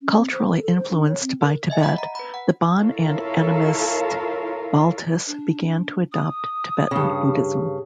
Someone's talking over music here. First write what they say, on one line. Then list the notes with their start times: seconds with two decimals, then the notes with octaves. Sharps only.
Culturally influenced by Tibet, the Bon and animist Baltis began to adopt Tibetan Buddhism.
0.02 C#4
0.17 C4
0.32 C5
0.48 A#4
0.61 A4
0.77 C5
0.91 D4
1.08 C#5
1.22 C4
1.41 A#4
1.70 D#5 E5 G#5
1.83 F#5 B5
1.98 A#5
2.15 B4 B5
2.34 F#5
2.78 E4 F4 A4 A#4 C#5 F5
5.27 D4
6.12 D#6
6.91 G2 C#3